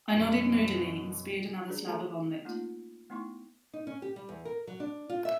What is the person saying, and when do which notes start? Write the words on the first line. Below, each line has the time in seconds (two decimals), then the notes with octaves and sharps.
I nodded moodily and speared another slab of omelette.
0.12 F#2 B2
1.68 C#4 D4 G#4 B4 D5
1.87 A3 G#4 A4 C5 A#5 C6
2.45 A3 A#3 C#4 D#4 F4
3.10 A3 B3 D#4 E4 C6 C#6
3.73 D#4
3.87 C#4
4.02 G4
4.16 G3
4.29 E2
4.45 A#4
4.67 F#3
4.80 D4
5.10 F4
5.25 E5